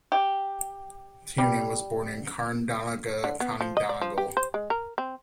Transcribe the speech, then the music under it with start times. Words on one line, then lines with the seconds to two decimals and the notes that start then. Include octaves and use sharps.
Tiernan was born in Carndonagh, County Donegal.
0.12 G4
1.38 G3
3.24 D3
3.40 B3
3.61 F3
3.77 D#5
3.89 D5
4.01 F3
4.18 G4
4.37 C5
4.54 G#3
4.70 A#4
4.98 C4